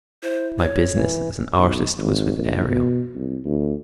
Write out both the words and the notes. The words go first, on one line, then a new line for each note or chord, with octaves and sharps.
My business as an artist was with Ariel.
E4 C5
C#5
E3
B1
G#1
A#1
B2
C2
D2